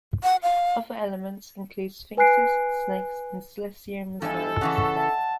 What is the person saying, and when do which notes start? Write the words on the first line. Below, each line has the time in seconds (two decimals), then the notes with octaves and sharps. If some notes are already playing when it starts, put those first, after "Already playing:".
Other elements include sphinxes, snakes, and celestial mosaics.
0.23 F#5
0.43 F5
2.17 B4 G#5 B5 F#6 C7 D7
4.22 E2 G2 F3 G4 A4 D#5 G#5
4.61 C#3 E3 C#4 F#5
4.96 E5 A5